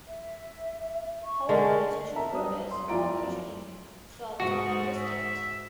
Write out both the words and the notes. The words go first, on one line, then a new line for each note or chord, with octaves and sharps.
However, the two rulers are usually thought to be distinct.
E5
C#6
D3 G#3 A3 A#4
A#4 E5 A5 A#5
F#3 G3 B4 D#6
C6
F2 E4 F4 D5 A#5 D7
F#2
G#2 F#4 C#6
E5